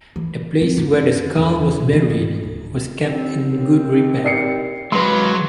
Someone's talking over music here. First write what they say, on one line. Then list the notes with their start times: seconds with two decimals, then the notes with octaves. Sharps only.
The place where the skull was buried was kept in good repair.
0.16 E3
0.62 C4
0.78 F#2
1.36 E2
1.80 B2
1.93 E3
2.10 G#1
2.43 D1
3.03 D#2 C4
4.25 D5 C7 C#7
4.92 F#3 G#3 B4 C6